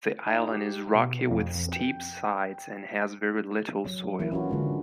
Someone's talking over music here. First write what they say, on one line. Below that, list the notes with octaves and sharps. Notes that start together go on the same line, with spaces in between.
The island is rocky with steep sides and has very little soil.
D#4
G4
B2
F2
G5
F#3
E3 A#3 E4
C#4 F4 F#4
D3 G#3 D4